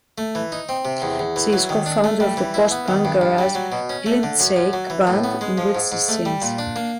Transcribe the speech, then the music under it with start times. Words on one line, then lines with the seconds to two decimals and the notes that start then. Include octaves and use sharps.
She is co-founder of the post-punk garage Glintshake band in which she sings.
0.18 A3
0.35 E3
0.52 D#4
0.69 C4
0.85 C3
1.02 E2
1.19 E2
1.36 E3
1.53 F#3
1.69 D#3
1.86 D4
2.04 A3
2.20 G3
2.37 E3
2.54 E4
2.71 B3
2.88 D#3
3.05 G2
3.21 G2
3.38 G3
3.55 F#3
3.72 B2
3.89 C#4
4.06 A3
4.23 D3
4.40 F#2
4.56 F#2
4.73 F#3
4.90 E3
5.07 A2
5.24 B3
5.41 G#3
5.58 F3
5.75 G#2
5.92 G#2
6.08 A3
6.25 G3
6.42 A#2
6.59 D4
6.76 A#3